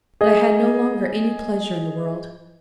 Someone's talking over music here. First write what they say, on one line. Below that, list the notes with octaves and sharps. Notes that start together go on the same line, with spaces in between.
But I had no longer any pleasure in the world.
G#4 D#5